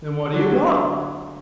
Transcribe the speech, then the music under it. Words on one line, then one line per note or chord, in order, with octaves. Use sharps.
"Then what do you want?"
D3 F#3